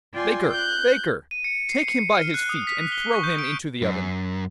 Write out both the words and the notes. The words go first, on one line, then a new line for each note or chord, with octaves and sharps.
'Baker, baker, take him by his feet, and throw him into the oven!'
F4 D5 G5 G#5 C6
F#6 G6
D#7
C#7
C7
C#7
F6
F#6
D#6
B6
G7
C#6
G6
D7
F#2